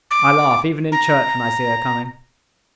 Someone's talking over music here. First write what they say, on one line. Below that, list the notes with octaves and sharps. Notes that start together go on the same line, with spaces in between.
I laugh, even in church, when I see her coming.
D6
A#5